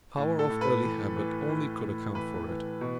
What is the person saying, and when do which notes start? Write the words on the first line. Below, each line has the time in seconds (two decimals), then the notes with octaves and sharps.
The power of early habit only could account for it.
0.17 A2
0.39 A4
0.50 A2
0.61 B4
0.83 E3
1.16 E3
1.49 A2
1.82 A2
2.15 E3 B4
2.48 E3
2.81 B2